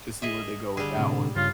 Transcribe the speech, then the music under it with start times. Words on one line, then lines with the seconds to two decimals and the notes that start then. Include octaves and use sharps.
to see where they go with that one.
0.22 G#4 D#5 E5
0.77 D3 G3 G#4
0.97 A2 C3
1.36 G2 C#3 F4